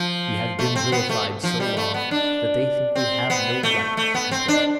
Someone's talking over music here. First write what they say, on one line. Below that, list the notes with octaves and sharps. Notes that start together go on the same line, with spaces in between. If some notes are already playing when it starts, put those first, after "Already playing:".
We have been vilified so long, that they think we have no right to complain.
Already playing: F3
A3
C4
B3
A3
F3
G3
A3
B3
D4
C4
B3
A3
A3
B3
C4
D4